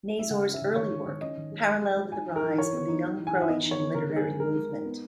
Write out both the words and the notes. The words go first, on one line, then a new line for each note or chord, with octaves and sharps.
Nazor's early work paralleled the rise of the Young Croatian literary movement.
E5
C#3 F#5
C#4
E5
C#3
D#3 C#5
G#3
D#3
C#4 D#5
D#3
G#3
G#3
G#3
G#3
D#4 G#5
D#4
A#4
E3
E3 C#5
B3
D#4
D#4
E3
G#5
E3 F#5
E5
B3 D#5
D#4
C#5
B3
C#3 A#4
G#3
G#4
G#3
G#3 A#4
G#3
D#4
B3